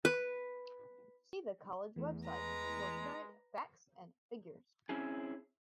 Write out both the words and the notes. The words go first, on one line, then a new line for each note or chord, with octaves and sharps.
See the college website for current Facts and Figures.
B4
E2 E3 A3
G#3 B4 A#5
C4 C#4 E4 G#4